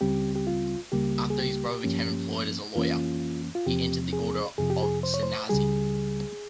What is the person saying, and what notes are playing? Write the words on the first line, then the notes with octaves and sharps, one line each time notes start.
After his brother became employed as a lawyer, he entered the order of Sannyasi.
C#2 C#3 G3 C4 G4
G4
F4
C#2 C#3 G3 A#3 G4
G#4
G4
G2 F3 A#3 C#4
F2 E3 A#3 C#4 F4
F4
E2 C3 F3 C4 G4
G#4
F2 C3 F3 G#4
G4
G#4
C5
C#5
C5
C#2 C#3 G3 G#4